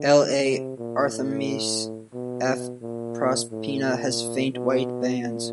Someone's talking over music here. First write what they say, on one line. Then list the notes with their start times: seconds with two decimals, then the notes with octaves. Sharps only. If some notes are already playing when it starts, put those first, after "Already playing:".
"L. a. arthemis" f. "proserpina" has faint white bands.
Already playing: D3
0.43 C3
0.78 A#2
1.11 A2
2.14 B2
2.82 A#2
3.51 A2
3.85 A#2
4.53 B2
5.22 A#2